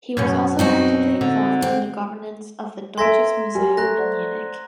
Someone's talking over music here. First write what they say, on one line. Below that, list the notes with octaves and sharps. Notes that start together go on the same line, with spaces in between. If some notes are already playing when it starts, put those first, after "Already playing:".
He was also actively involved in the governance of the Deutsches Museum in Munich.
F#2 B2 C#4
C4 D#4 F#4
D3
C4
A4 E5 G#5 A#5 C6 G#6 A#6 D7
G3 A#4 G#5
A3 A#5 F#6 A#6
C5 D5 F#5